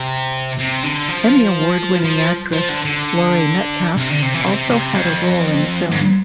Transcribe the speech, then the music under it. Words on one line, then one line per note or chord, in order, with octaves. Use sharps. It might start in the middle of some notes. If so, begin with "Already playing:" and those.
Emmy Award-winning actress Laurie Metcalf also had a role in the film.
Already playing: C3
C3
D3
F3
F3
F3
D3
D3
C3
D3
C3
E3
B2
C3
C3
F2
G#2